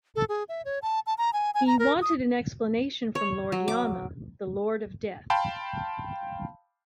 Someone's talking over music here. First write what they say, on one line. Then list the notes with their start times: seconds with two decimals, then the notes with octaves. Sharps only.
He wanted an explanation from Lord Yama, the lord of death.
0.16 A4
0.29 G#4
0.49 E5
0.65 C#5
0.82 A5
1.07 A5
1.18 A#5
1.33 G#5
1.54 G#5
1.67 A#5
1.79 A#4
2.02 D#6
3.15 C#5
3.52 F#3
3.68 D6
5.30 F5 G5 A5 B5 C6